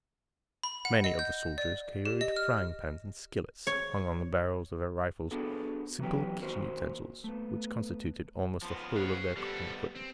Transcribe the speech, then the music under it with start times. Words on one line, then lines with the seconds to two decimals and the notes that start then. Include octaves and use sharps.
Many of the soldiers carried frying pans and skillets hung on the barrels of their rifles, simple kitchen utensils which constituted almost the whole of their cooking equipment.
0.63 B5
0.85 F#5
1.04 D#5
1.19 G6
1.58 D5
2.05 G4
2.21 D#5
2.36 F6
3.67 C#5
5.31 B3 D4 F#4 G#4 A4
5.99 E3 F#3 B3 C#4 G4
6.41 D#2 F#4 A#4 C5
7.24 A3 B3
8.62 F3 B3 A5 C6
8.96 G#4 C#5 F#6
9.37 F3 G3 B3 G4 A4 C#7
9.95 C4